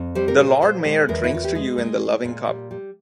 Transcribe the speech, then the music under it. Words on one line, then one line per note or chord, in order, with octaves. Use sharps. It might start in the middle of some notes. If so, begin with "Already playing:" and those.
The Lord Mayor drinks to you in the loving cup.
Already playing: F2
G3 C5
A#4
A#2 C5
A#2 C5
G#3
E2 A#4
E4
E2 F4
G4
G#3 G#4
G#3
G#3
A#2
G3
G3